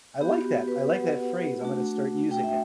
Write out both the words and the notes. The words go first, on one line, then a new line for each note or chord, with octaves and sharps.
like that. I like that phrase, I'm gonna start using it.
B3 F#4 G4
B4
F#5
A3 D4 F#4
G5
E5